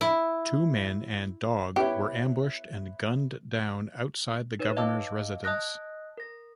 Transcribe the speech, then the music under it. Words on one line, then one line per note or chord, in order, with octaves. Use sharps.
The two men and dog were ambushed and gunned down outside the Governor's residence.
E4
B3 E4 G4 C#5
D#4 B4 C#5
D#5 F5 G5 A5 D6 E6
D#5 A5 D#6 F#6 A#6
A#4 A#6